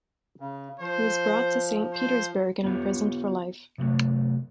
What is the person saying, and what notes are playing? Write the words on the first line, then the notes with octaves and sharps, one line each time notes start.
He was brought to Saint Petersburg and imprisoned for life.
C#3
F3 C5
C5
B3 F4 G4 C#5
C3 F#3 A3